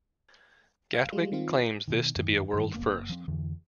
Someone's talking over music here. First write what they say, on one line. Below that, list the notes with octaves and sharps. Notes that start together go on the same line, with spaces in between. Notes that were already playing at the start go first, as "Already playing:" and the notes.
Gatwick claims this to be a world-first.
F5
G3 G#3 F4
D#3 C4 F4
B2 D#3
F#2 D#3
G2 D#3
F#1 A#3 B3
F3 C4
F2 D3 E3